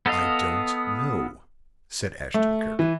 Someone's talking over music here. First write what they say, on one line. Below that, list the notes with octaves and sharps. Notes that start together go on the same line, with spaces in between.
"I don't know," said Ashton-Kirk.
B3 A4 D#5 F5
A3
E3